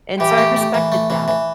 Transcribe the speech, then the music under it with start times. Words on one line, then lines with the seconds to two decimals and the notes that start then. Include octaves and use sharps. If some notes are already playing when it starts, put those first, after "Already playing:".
and so I respected that,
0.20 E3 G4
0.38 A3
0.56 A3
0.74 E3
0.92 A3
1.10 E3
1.28 E3